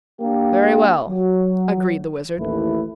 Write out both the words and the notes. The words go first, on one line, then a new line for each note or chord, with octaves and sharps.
"Very well," agreed the Wizard.
A#3 D4 G4
F#3 F#4
A1 D#2 A2 A3 E4 B4